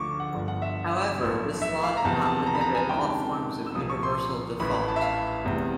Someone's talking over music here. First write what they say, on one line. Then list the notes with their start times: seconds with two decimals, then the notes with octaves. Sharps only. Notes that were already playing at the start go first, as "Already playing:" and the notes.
However, this law did not prohibit all forms of universal default.
Already playing: D2 D3 F3 C#6 D6
0.20 F#5
0.33 G1 G2 D3 F3
0.48 F#5
0.62 E5
1.19 B1 A2 F3
1.62 E5
1.84 F5
1.97 A#5
2.04 E2 C3 F3 A5
2.25 A5
2.46 A#5
2.55 B5
2.61 A#5
2.75 G#5
2.89 C#2 C3 D#3 G5
3.03 A5
3.66 E6
3.75 C2 A#2 F3 D#6
3.90 C#6
4.03 C6
4.60 A1 A2 E3 B5
4.74 B5
4.88 A5
4.96 E5
5.02 F5
5.45 F1 E2 C3